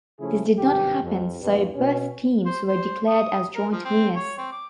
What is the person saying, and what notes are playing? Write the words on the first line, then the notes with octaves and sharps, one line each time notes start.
This did not happen so both teams were declared as joint winners.
C#3 F3 A3 C#4 E4 G#4
G#1 G2 C3 G4
F2
A#1 E2 G2
B2 C#4
C5
C5
D#6
A#4
F3
C4
C#5
C4
D6